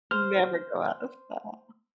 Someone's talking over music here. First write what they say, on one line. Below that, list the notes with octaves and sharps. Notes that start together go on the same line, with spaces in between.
Never go out of style.
C5 F6